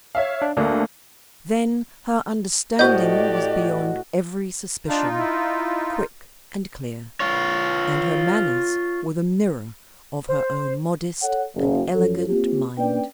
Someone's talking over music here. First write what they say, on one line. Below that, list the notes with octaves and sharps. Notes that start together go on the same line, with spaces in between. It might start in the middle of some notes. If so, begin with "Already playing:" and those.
Then, her understanding was beyond every suspicion, quick and clear; and her manners were the mirror of her own modest and elegant mind.
C#5 E5 F5
D4
D2 A3 A#3 D4
A2 F#4 G4 C5 D5 D#5 G6
D4 D#4 F4
E4
F4 C#5
C5
A4 C#5 F#5
F#1
F#2 F3 F#3 A4
A#3 C4 F4 G4
A#3 C#4 D4 B4 D5 G5